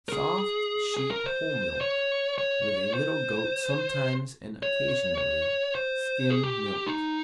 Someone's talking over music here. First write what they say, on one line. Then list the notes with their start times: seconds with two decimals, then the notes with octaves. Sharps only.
Soft, sheep whole milk with a little goat sometimes and occasionally skim milk.
0.09 A#4
0.13 G#4
0.97 G#4
1.11 A#4
1.26 C5
1.81 C#5
2.38 C#5
2.94 C5
4.63 C#5
5.18 C#5
5.75 C5
6.30 G#4
6.44 G4
6.87 D#4